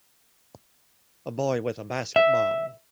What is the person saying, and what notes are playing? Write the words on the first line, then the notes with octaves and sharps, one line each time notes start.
A boy with a basketball.
E5